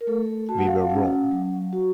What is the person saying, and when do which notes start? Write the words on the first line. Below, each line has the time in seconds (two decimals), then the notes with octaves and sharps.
We were wrong.
0.01 A#4
0.07 A3 A4
0.49 F#4 A5
0.58 F#5
0.67 F5
0.75 F#5
0.90 C#4 F#5
1.31 F#3
1.73 F#4